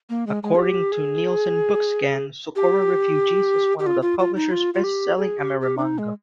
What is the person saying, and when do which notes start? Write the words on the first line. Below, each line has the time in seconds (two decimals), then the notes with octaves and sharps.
According to Nielsen BookScan, "Sokora Refugees" is one of the publisher's best-selling amerimanga.
0.10 A#3
0.27 G#3
0.43 G#3
0.55 G#4
0.59 G4
0.92 G#4
2.56 G4
3.79 G4
3.86 F4
4.02 F4
4.19 F4
4.36 D#4
4.51 F4
4.74 F4
4.84 G4
5.17 G#4
5.39 G4
5.61 G4
5.78 D4
5.82 D#4
5.98 G#3